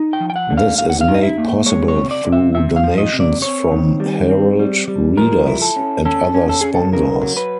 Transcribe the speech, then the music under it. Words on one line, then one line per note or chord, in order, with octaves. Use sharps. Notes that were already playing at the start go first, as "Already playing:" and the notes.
This is made possible through donations from Herald readers and other sponsors.
Already playing: D#4
G5
F3
G5
F#5
D3
F5
D3 F5
F#5
F5
D#4
D#5
E5
A#3
G#3 C#5
C#5
C3
D5
C3
E5
C3 E5
F5
F3
D#5
C3
D5
C4 C#5
D#3
G3
C4
G3
G3
F3 A#4
E4
A4
C#4
C#4 A4
C#4
A4
C#4 G#4
A4
C#3 A#4
F#3
B4